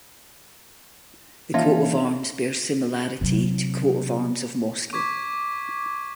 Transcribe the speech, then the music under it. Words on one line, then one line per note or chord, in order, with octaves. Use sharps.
The coat of arms bears similarity to Coat of arms of Moscow.
E3 A#3 C#4 D#4 F4 E5 A5
C3 F#3
C#6 D6 G#6 B6